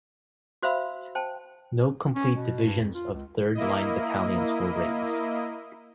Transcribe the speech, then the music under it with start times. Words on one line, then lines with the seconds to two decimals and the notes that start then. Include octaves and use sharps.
No complete divisions of third line battalions were raised.
0.63 F#4 C5 E5 F5 B5 E6
1.15 C5 G5 A5
2.15 C#4
2.34 B2
2.65 G2
2.81 F2
2.95 F4
3.12 C#2
3.55 A#3 E4 D#5